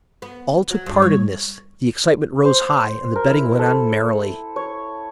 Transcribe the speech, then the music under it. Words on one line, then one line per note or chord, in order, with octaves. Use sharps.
All took part in this; the excitement rose high and the betting went on merrily.
B3
F#3
G2
C#5
C5
A#4
E4
A4
C#5